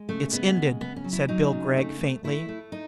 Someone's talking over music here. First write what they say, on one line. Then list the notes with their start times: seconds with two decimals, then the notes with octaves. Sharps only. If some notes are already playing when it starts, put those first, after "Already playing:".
"It's ended," said Bill Gregg faintly.
Already playing: G#3
0.09 C#3 A3
0.32 G#3 B3
0.57 C#3
0.80 C#3 B3
0.96 C#4
1.04 F#3
1.13 E4
1.28 F#3 D#4
1.52 C#3
1.77 A3
2.01 A3
2.24 A3 E4
2.49 A3
2.72 D#4